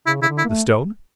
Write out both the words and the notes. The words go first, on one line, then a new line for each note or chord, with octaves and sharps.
The stone?
C#3 E4
C#3 E4
D3
E4
A#3
A3